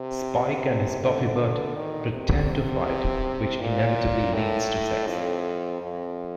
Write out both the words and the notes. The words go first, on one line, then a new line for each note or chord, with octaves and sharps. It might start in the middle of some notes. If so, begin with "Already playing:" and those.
Spike and his Buffybot pretend to fight, which inevitably leads to sex.
Already playing: C3
D3
D#3
C3
A#2
A2
F2
F2